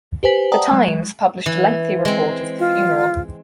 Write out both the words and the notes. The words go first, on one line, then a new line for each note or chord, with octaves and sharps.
The Times published a lengthy report of the funeral.
G4 B4 C5 G#5 B6 F#7
D5 F#5 G5 A5 A#5 D#6
F#3 G#3
E3
G#3 C4
F4